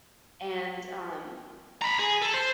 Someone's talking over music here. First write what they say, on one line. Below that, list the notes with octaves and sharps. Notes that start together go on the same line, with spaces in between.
and, um,
A#5 B5
G#4
A4
C5